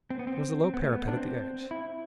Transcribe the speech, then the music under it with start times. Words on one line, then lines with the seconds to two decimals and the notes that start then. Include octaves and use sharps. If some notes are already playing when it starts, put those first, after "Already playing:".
There was a low parapet at the edge.
0.10 C4
0.19 B3
0.27 C4
0.64 C4
0.74 B3
0.82 A3
0.93 B3
1.08 D4
1.17 C4
1.71 E4